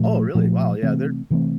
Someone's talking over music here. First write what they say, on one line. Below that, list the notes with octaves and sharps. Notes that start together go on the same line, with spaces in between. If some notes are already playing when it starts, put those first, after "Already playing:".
Oh really? Wow, yeah, they're
Already playing: A#2 F3 A3
A#2 F3 A3
C3 E3 A3 C4
C3 E3 A3 C4